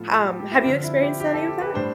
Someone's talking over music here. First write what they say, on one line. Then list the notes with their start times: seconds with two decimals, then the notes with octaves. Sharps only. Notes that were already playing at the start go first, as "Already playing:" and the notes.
H um, have you experienced any of that?
Already playing: A2 F3 B3 F4 A4
0.11 F4
0.25 G4
0.39 G4
0.51 E4
0.61 G4
0.66 D3 F3 C4 F4
0.84 E4
1.02 G4
1.20 G4
1.34 A4
1.48 G4
1.61 B4
1.74 A2 G3 D4 C5